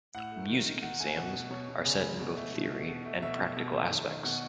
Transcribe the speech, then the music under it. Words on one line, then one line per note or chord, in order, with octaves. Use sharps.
Music exams are set in both theory and practical aspects.
A2 F#5
A3
D#3
D#3
D#3 F#5
A3 G#5
B2 F#5
B2
B2 C#5
B2
C#3
G#3
B2
A3
B2
B2
B2
A3
B2 E5
B2
B2
A3
D#3
D#3
B2 F#5